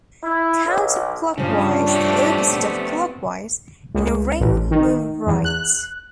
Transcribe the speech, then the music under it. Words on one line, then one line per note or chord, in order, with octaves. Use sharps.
Counter-clockwise - the opposite of clockwise - in a ring, move right.
E4
B1
G2 C#3 F3 D4 C#5
A3 C4 G4
B3
C#2
A1
D#3
E2
F#6